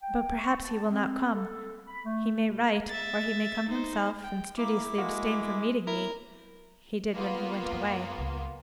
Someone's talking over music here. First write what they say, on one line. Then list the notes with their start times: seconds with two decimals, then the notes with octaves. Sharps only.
But perhaps he will not come; he may write, or he may come himself, and studiously abstain from meeting me--he did when he went away.
0.02 G5
0.38 C#6
0.65 A5
0.90 C4
1.34 A4
1.87 B5
2.05 A3
2.47 B2
2.89 E5 A6
3.69 D#4 C5
4.24 G5
4.58 A#3 E4 D6
4.98 G#3 A#3 F#4
5.87 E4 A#4
7.14 A#3 B3 F4
7.72 F#2
8.18 C#2